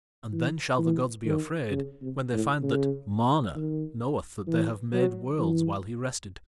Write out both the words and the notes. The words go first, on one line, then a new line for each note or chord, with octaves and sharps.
And then shall the gods be afraid when they find that MANA knoweth that they have made Worlds while he rested.
E3
E3
D#3
C#3
C3
A2
C#3
D#3
E3
F#3
E3